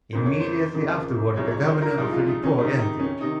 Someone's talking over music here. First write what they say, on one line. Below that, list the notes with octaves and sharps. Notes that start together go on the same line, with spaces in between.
Immediately afterward the governor of the Depot entered.
F2 C#3 F3 A#3 C5
C#5
C5
F2 C#3 F3 A#3
C2 C3 F3 G#3 C#5
C#5
C5
A#4
C2 C3 F3 G#3 D#4
F4
D#4
C#4
C#2 C3 D#3 D#4
D#4
C#4
C3 D#3 D#4